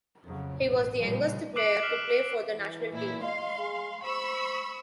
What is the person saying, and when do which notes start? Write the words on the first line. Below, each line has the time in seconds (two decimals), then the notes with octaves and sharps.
He was the youngest player to play for the national team.
0.24 F2 C#3 F#3
0.59 A1 G2 B2
0.98 A#2 C#3 F3 G3
1.56 D6 E6 F#6 C7 D7 F#7
1.81 F6 B6 C7 E7
2.54 E3
2.93 A#2 E4
3.24 D#5 F5 C6
3.58 G#4
4.04 C5 B5 C#6 E6